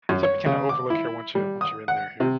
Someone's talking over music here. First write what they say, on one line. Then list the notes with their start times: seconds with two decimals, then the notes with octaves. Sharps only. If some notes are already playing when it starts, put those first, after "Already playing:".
something you kinda overlook here once you once you're in there here.
0.09 F#2
0.23 C#5
0.46 C#3
0.69 D6
0.90 E4
1.35 G3
1.61 D#6
1.88 F#5
2.20 C3